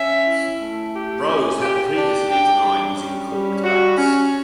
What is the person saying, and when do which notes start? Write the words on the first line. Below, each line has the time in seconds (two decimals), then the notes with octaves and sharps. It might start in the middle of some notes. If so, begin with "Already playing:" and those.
Rose had previously denied using corked bats.
Already playing: C#4 E5
0.27 E4
0.61 A3
0.95 G4
1.28 C#4
1.61 G4
1.96 D4
2.28 D4 G5
2.63 G3
2.96 C#4
3.30 G3
3.64 F#4
3.97 C#4